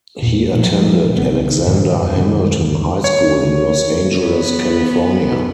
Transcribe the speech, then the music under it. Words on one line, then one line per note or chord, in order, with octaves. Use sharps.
He attended Alexander Hamilton High School in Los Angeles, California.
E2 A#2
A#2 F3 F#3
D#1 C2 C#3 B3
F#2 A2 D3 E3
F#2 C3 D#3 G3
C#5
B3